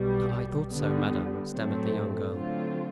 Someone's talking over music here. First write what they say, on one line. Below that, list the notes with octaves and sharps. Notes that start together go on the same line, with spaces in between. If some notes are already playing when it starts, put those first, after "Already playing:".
"I thought so, madame," stammered the young girl.
Already playing: B1 B2 G3
D3 G3 B3
A2 F#3 A3 C4
D3 F#3 A3 C4 F4